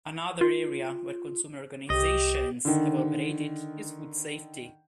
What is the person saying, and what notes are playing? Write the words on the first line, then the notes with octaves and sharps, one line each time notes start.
Another arena where consumer organizations have operated is food safety.
F4
C2 G4 D#5
D3 D#3